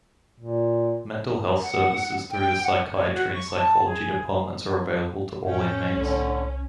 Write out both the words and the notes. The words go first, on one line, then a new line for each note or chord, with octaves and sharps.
Mental Health Services through the Psychiatry and Psychology Departments are available to all inmates.
A#2
F#5
G5
F#5
C#5
F#4
C#6
A5
G#4
A2 C#4 G5
C2 A2 D3